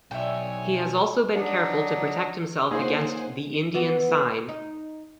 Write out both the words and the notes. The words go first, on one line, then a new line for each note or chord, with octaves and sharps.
He has also been careful to protect himself against ‘the Indian Sign’.
B1 D3 C#5 E5 G5 G#5
F#3 D4 D#4
A#3 D#4 F4 G#4 C5 C#5 F#5 G#5
E3 B3 F#4
D#4